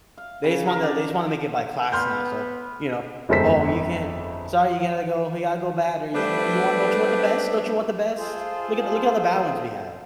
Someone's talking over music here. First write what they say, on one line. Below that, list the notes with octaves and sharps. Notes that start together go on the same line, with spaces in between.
They just wanna they just wanna make it by class now, so, you know, "Oh, you can't Sorry, you gonna go we gotta go bad or you you want don't you want the best? Don't you want the best? Look at the look at all the bad ones we have."
F5
C#3
A#4
D5
B3 C6 F6 G6
G1 F2 G#3 A4 C5 B6
G3 A3 B3 D4 B4 C5
F4 G#4 A4 C5